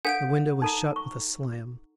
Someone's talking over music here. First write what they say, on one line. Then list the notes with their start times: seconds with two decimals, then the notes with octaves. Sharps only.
The window was shut with a slam.
0.05 D4 A4 F5 F#5 G6 D7
0.62 D#4 A4 A#5
0.96 C#6